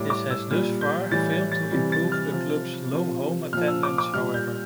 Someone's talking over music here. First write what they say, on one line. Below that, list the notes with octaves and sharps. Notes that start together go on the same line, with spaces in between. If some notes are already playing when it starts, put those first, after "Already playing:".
This has thus far failed to improve the club's low home attendance, however.
Already playing: A2 G3 D6
D6
E6
A#2 G3 F6
G6
A2 E3 G3 A6
A6
C3 E3 G3
A6
F6
C3 F3
C3 F3
A#2 F3 F6
E6
D6
D6
A#2 G3 F6
G6